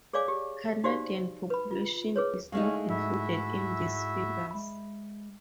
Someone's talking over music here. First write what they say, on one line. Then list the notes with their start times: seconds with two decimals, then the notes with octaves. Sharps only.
Canadian population is not included in these figures.
0.13 G#4 C#5 D5 F5 G#5 D6
0.28 G4
0.84 D#4 F#4 G4 C5 D5 F5
1.50 B4 B5
1.71 F4
2.16 G#4 B4 C#5
2.52 G#3 A3 C#4 D#4 F5
2.90 G#2 E4 F#4 E5
4.51 G#3 E5 B5